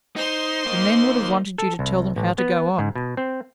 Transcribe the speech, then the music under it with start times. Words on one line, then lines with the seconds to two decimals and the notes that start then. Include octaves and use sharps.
The men would have wanted you to tell them how to go on.
0.16 D#4 C5 C6
0.66 A#3 D#4
1.58 A4
1.79 C2
2.16 A1
2.38 B3
2.78 G#2
2.95 B2
3.17 C4